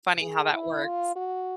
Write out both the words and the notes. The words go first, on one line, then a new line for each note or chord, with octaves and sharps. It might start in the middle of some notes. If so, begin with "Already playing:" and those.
Funny how that works.
G#4
E4
F4
F#4